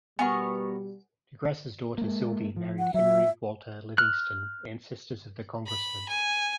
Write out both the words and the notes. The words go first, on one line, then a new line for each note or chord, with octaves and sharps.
De Grasse's daughter, Sylvie, married Henry Walter Livingston, ancestors of the Congressman.
B2 G3 B3 A#4 F#5 G#5 C#6
G#3 A#3
F3
F#5
F#3 E5
F6 F#6
B5
G#5